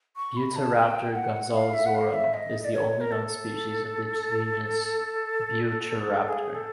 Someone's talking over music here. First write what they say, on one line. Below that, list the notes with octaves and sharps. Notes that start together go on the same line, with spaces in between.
"Buitreraptor gonzalezorum" is the only known species of the genus "Buitreraptor".
C#6
B5
A5
G5
F#5
F5
E5
F#5
F5
E5
D#5
D5
C#5
A#4
A4
G#4
A4